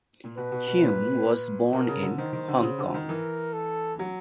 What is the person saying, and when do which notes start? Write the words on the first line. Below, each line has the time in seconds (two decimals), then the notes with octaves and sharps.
Cheung was born in Hong Kong.
0.24 A#2
0.37 B2 B4
0.52 B2
0.67 B2
0.82 A#2
1.73 B2 A#4
1.88 C#3
2.03 D3
2.18 D#3 C5
2.33 D#3
2.48 D3
2.63 C#3
2.78 D3
2.94 D#3
3.09 E3 A#4
3.53 A4
3.99 F#3